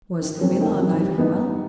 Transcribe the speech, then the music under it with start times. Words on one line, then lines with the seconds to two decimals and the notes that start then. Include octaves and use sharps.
Was the miller alive and well?
0.21 D#3
0.41 F#3 C4
0.61 D#3
0.80 F#3 C4
1.00 G3
1.18 B3 D#4